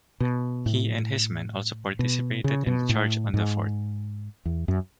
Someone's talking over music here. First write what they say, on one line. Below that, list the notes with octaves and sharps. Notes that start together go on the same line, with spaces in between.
He and his men also participated in the charge on the fort.
B2
A2
B2
C#3
B2
A2
G#2
E2
F#2